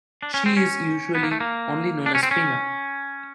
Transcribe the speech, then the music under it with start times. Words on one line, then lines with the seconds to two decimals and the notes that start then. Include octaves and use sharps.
She is usually only known as Pina.
0.22 D4
0.34 C#4
0.46 C4
0.57 C#4
1.15 B3
1.23 A#3
1.31 A3
1.40 A#3
2.06 D4
2.15 C#4
2.23 C4
2.31 C#4